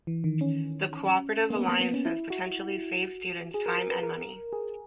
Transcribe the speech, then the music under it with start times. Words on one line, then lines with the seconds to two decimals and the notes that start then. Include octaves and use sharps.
The Cooperative Alliances potentially save students time and money.
0.07 E3
0.24 D#3
0.41 C#4
1.50 A#3
1.56 B3
1.68 A#3
1.81 B3
1.94 C#4
2.05 E4
2.30 F#4
3.54 G#4
3.66 A#4
3.78 A#4
3.91 B4
4.03 A#4
4.53 G#4